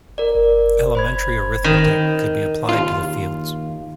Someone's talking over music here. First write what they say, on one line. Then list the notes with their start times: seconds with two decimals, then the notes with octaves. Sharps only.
Elementary arithmetic could be applied to the fields.
0.18 A#4 D5
0.95 C5 B5 G#6
1.64 D#3
2.69 D#2 F4